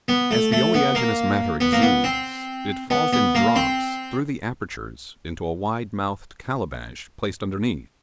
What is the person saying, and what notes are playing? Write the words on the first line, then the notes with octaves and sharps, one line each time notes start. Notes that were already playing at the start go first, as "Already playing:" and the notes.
As the oleaginous matter exudes, it falls in drops through the apertures into a wide-mouthed calabash placed underneath.
B3
A3
A3
B3
A#3
B3
A#3
B3
C4
B3
B3
A#3
C4